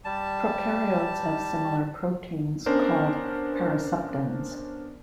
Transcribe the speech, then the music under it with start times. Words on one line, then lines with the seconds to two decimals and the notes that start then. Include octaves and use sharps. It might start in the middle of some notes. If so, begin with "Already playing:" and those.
Prokaryotes have similar proteins called paraseptins.
0.05 G3 A5
2.66 B3 C#4 D4 A#4 C5